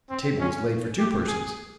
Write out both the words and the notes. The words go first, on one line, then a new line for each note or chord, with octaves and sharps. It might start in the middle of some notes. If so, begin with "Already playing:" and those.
The table was laid for two persons.
C4
C#4
G4
G#4